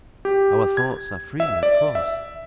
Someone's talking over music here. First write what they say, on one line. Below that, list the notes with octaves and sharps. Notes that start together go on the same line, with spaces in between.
'Our thoughts are free, of course.
G4
G#6
E5
D5
E5